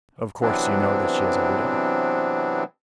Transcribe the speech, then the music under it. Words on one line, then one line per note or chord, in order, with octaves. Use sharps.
"Of course you know that she is a widow."
C3 E3 F#3 B3 C4 D4